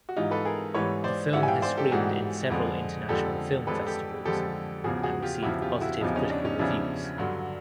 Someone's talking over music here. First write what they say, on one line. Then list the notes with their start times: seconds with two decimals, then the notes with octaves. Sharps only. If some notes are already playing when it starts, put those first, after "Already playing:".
The film has screened in several international film festivals and received positive critical reviews.
0.09 F#4
0.16 G#2 E3 G3 D#4 F4
0.31 A4 B4
0.45 G#4 A#4
0.74 G#2 E3 G3 B4 C#5
1.04 C5 D5
1.33 G#2 E3 G3 E5 F#5
1.43 G#5
1.48 F5 G5
1.62 C5 D5
1.77 G4 A4
1.92 G#2 E3 G3 F#4 G#4
2.50 F2 D3 F3 G#3
3.09 F2 D3 F3 G#3 G4 A4
3.67 F2 D3 F3 G#3 A4 B4
3.86 G4 A4
4.25 F2 D3 F3 G#3 G4 A4
4.84 E2 C#3 F3 F#4 G#4
5.03 F#4 G#4
5.22 F4 G4
5.42 E2 C#3 F3 E4 F#4
5.62 F4 G4
5.81 E4 F#4
6.01 E2 C#3 F3 D#4 F4
6.16 C#4 D#4
6.30 D4
6.45 C#4 D#4
6.59 E2 C#3 F3 D4 E4
7.18 G2 D3 F#3